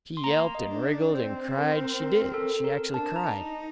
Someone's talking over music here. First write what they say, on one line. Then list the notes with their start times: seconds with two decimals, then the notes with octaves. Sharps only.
She yelped and wriggled and cried--she did--she actually cried.
0.17 C6
0.24 A#3 A#5
0.55 D#5
0.69 D4
0.85 D5
1.14 C4 C5
1.58 A#4
1.71 C5
1.83 A#4
2.03 A#4
2.34 A4
2.64 A#4
2.94 D4 A5
3.16 A#5
3.39 D#4